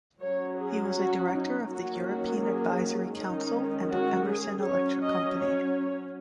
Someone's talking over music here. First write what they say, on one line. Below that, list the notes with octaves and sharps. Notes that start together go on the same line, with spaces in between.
He was a director of the European Advisory Council and of Emerson Electric Company.
F#3 C#4 C#5
G#4
F#4
D#4
D#3 F#3 A#3 C#4 F#4
F#4
G#4
D#3 G#3 C#4 D#4
F#4
G#4
F#3 C#4 C#5
D#5
C#5